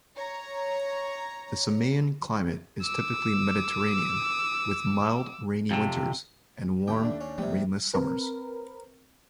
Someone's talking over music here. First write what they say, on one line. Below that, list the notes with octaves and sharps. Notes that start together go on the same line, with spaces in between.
The Samian climate is typically Mediterranean, with mild rainy winters, and warm rainless summers.
C#5 A#5
D6 E6
F2 C3
D#2 A3 G5 D6
D4
C#4
C3 F3 G3 A3 B3
C4 A#4 B4